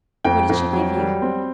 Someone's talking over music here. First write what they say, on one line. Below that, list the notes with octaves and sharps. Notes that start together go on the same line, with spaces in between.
'What did she give you?'
F2 G5
F2
F#3
G3
C4